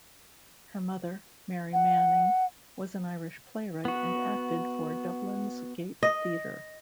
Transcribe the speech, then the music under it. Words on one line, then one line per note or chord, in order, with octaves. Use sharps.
Her mother, Mary Manning, was an Irish playwright and acted for Dublin's Gate Theatre.
F#5
B3 F#4
D#5